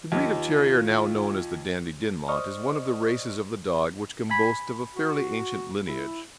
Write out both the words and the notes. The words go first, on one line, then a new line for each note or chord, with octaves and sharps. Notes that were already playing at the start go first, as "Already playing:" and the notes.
The breed of terrier now known as the Dandie Dinmont is one of the races of the dog which can boast of a fairly ancient lineage.
D#2 F4
C5 D5 D#5 C#6 D#6 F6
G#5 B5
F#4
E4